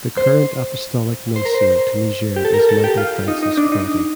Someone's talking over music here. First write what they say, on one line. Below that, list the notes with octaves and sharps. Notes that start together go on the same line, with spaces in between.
The current Apostolic Nuncio to Niger is Michael Francis Crotty.
C5
C5
A#4
C5
G4
A4
A#4
A4
G4
F4
D#4
D#4
D4
D#4